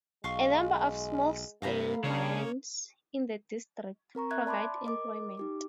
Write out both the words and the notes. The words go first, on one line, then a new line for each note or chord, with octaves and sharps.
A number of small scale mines in the district provide employment.
B1 G#3 F5 C6 C#6
G2 C3 A#3 F5 A#5 B5
C#3 A#3 D4 C#5
C4 A#4 A#5 C#6
E5 F#6 G#6
D5 A5 B5 C6 D6
A#4 D#5 D6
D#4 G4 D6